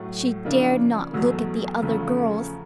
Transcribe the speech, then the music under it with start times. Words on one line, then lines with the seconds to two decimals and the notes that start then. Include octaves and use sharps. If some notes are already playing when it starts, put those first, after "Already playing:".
She dared not look at the other girls.
Already playing: A2 F#3 A3
0.45 C#3 F3 A#3 D4
1.14 E2 B2 F#3 A3
1.82 E2 C#3 F3 A3